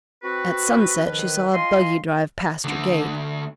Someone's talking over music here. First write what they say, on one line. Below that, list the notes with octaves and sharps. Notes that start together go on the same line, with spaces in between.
At sunset she saw a buggy drive past her gate.
C4 F#4 B4
D#3 F3 B4
F4 D#5 G#5 C6
D2 D3